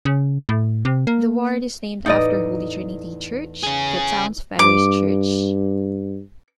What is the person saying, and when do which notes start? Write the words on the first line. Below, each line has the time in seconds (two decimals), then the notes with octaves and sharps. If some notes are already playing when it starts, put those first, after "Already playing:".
The ward is named after Holy Trinity Church, the town's parish church.
0.05 C#3
0.49 A2
0.85 C3
1.07 A#3
2.06 A1 E2 A2 D#4 D5 D#5
3.63 C#4 G#4
4.59 G2 D6